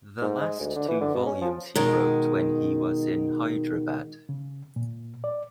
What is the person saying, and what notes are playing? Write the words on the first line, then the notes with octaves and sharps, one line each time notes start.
The last two volumes he wrote when he was in Hyderabad.
G#2
G#3
D2
D3
E3
D3
B2
C#4
F3
B2 D#3 G#3
C#3
A#2
D5